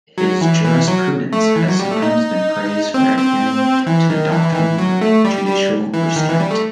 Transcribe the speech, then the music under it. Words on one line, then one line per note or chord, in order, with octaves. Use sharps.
His jurisprudence has sometimes been praised for adhering to the doctrine of judicial restraint.
F#3
E3
E3
F#3
A3
E3
F#3
G3
A3
D#4
C4
C4
E3
D#3
E3
D#3
E3
F#3
A3
G3
G3
E3
D#3
E3
G3
A3